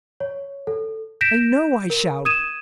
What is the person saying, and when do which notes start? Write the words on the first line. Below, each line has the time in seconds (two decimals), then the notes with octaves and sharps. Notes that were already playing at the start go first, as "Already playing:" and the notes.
I know I shall!
0.20 C#5
0.67 A4
1.21 G6 A#6 B6 D7 E7
1.90 A#4
2.25 D#6 G#6 D#7 E7